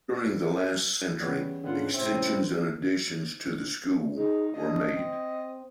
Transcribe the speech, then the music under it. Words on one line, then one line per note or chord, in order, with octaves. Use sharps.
During the last century extensions and additions to the school were made.
E2 G3 B3 C#4 B4 C#5
G#2 D3 B3 F4 F#5
A2 C3 C4 E5 G5
D#4 G#4
D4 D#5
C4